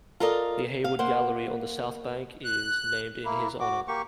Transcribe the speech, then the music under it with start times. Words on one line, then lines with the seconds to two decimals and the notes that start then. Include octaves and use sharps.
The Hayward Gallery on the South Bank is named in his honour.
0.20 F4 A4 A#4 D5 D#5
0.84 F5
0.99 A#3 C5 F#5
2.44 F#6
3.25 A#3 E4
3.60 F#4 D6
3.88 A#3 G4 C#6